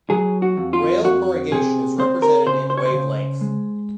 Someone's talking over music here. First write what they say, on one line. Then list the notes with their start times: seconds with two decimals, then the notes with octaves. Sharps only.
Rail corrugation is represented in wavelength.
0.10 F#3 G#4
0.42 F#4
0.57 F2
0.73 F4
1.05 F2 F#4
1.52 C3 G#4
1.99 C4 C5
2.22 A#4
2.47 C#3 C5
2.70 C5
2.78 C#5
2.85 C5
2.94 C#3
3.41 G#3